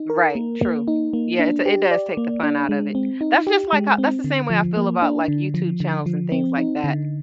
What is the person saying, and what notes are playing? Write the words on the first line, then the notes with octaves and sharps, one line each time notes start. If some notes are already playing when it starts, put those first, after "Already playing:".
Right. True. Yeah, it's it does take the fun out of it. That's just like, uh that's the same way I feel about like YouTube channels and things like that.
Already playing: D#4
A#4
A#3
A#3
D#4
A#3
D4
G4
D5
A#3
D4
G#3
C4
D#4
G4
G#3
C4
D3
F3
A#3
D4
D3
F3
D3
F3
C4
D#4
D3